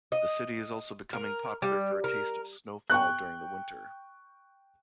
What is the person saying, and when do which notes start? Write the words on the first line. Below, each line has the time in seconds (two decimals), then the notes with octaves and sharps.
The city is also becoming popular for a taste of snowfall during the winter.
0.12 D#5
1.13 A#4
1.62 G3
2.04 A#4
2.90 G5 C#6 F#6